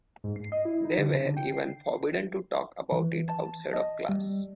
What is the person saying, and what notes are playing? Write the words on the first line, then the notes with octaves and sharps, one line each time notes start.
They were even forbidden to talk about it outside of class.
G#2
C7
D#5
E4
D#4
D3
C#3
D3
G5
C7
E3
A5
D#5
G3